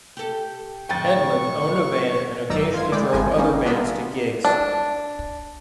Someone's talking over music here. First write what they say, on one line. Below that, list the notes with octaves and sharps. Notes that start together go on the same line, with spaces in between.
Hedlund owned a van and occasionally drove other bands to gigs.
G4 A4
F2 A2 D3 G5 C#6 A6
G#1 F#2 D#3 D5 A#5 E6
F4 C6 G#6
G#3 E4 D5 G5 D6
G#1 E3 F3 A#4 G#5
G3 A#3 C#4 D#4
A#3 B3 D4 F4 G#4 E5
D4